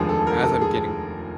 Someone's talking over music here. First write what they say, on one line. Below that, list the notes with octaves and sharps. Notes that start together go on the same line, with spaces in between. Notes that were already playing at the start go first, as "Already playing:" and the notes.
as I'm getting
Already playing: F1 D#2 D3 F3 G#3 G#4
A4
A#4
A4
G#4